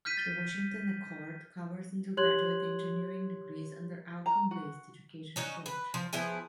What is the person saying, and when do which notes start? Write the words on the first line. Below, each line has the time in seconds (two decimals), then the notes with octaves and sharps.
The Washington Accord covers undergraduate engineering degrees under Outcome-based education approach.
0.05 F6 G6 B6 D#7
0.17 A6 G7
2.17 G4 C#5 C6 F#6 G#6 F#7
4.26 A#5
4.51 F#4
5.36 C#4 D#4 F#4
5.66 B4
5.94 F3
6.13 F3 B3 E4 G#4